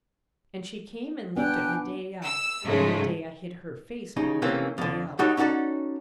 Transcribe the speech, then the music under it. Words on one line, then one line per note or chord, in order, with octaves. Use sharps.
And she came and looked at Medeia; and Medeia hid her face beneath her veil.
B3 D4 G5 G#5 F#6
E6
G#2 C#3 F#3 G#3 A3
D#2 C#3 D#4
C3 E3 A3 A#3 C4 C#4
F2 D3
G3 D#4 F#4 A4 C#5
C#4 D#4 F#4 A4 D5